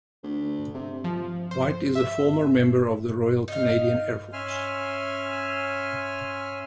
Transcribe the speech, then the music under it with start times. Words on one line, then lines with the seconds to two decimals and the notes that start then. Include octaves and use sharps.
White is a former member of the Royal Canadian Air Force.
0.23 D2
0.74 C3
1.04 F3
1.51 C5
1.95 E5
3.48 D#4 F5
4.33 C#4 E5 G#5 C6 F6